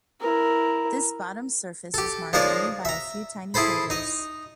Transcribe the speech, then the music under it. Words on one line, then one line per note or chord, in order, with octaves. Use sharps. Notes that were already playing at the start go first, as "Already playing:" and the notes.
This bottom surface is marked only by a few tiny craters.
E4 A#4
G4 A4
F3 G#3 D#4 A#4 C#5 D5
E5 A#5
E4 G#4 A4 C5 B5
D#4 D#5